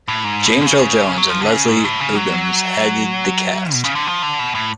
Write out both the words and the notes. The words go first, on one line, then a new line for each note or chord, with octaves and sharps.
James Earl Jones and Leslie Uggams headed the cast.
A2
G#2
B2
D3
C#3
F#3
F3
D3
C#3
G#2
A2
C#3
F#3
B2
C#3
D3
F3
D3
B2
A2